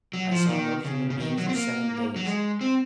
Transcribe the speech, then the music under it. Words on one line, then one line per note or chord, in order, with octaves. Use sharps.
I saw no human being for seven days.
F#3
F3
D#3
C#3
C#3
D#3
F#3
C4
A#3
F#3
G#3
C4